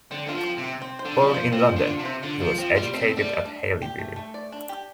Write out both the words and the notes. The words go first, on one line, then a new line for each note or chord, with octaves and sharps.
Born in London, he was educated at Haileybury.
D3 C4
D3 F4
F3
C4
C3
C4
C4
C5
D3
G3 F4
F3
C5
F3 C4
C5
D3
F4
C3
C5
D3 F4
F3 F4
F3 C4
G3 F4
A3 C4
A3
G3
D5
D4
A3
G4
A3
A3
D5
D4
G4